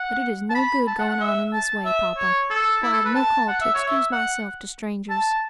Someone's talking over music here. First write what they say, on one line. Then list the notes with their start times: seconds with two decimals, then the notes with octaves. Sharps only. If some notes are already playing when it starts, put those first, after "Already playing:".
But it is no good going on in this way, poppa, for I've no call to excuse myself to strangers.
Already playing: F#5
0.50 A5
0.55 B5
0.87 A5
0.99 F#5
1.10 F#5
1.20 E5
1.53 A5
1.85 E5
2.17 C#5
2.50 A4
2.83 E4
2.94 A4
3.05 B4
3.15 A5
3.48 F#5
3.61 E5
3.75 C#5
3.88 E5
4.12 F#5
5.10 A5